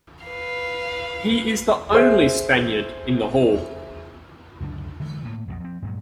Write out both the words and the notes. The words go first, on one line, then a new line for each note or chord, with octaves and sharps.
He is the only Spaniard in the Hall.
B4 F5
G#4 C5 E5
C#2 F#2 D3 D4
D3 E3 G#3
A2 A#3
B1 F2 G#2 B2
F2 C4
G2 A#2 F#3 G#3